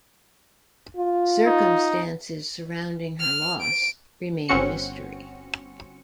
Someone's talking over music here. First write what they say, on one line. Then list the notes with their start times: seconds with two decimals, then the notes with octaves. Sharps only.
Circumstances surrounding her loss remain a mystery.
0.97 F4
1.46 D#4
3.20 F6
3.61 D7
4.49 G1 C4 C#4 F#4 C#7